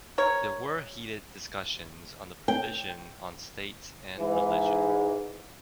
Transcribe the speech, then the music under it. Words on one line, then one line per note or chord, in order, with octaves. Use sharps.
There were heated discussions on the provision on state and religion.
A#4 C#5
G5
G#2 E3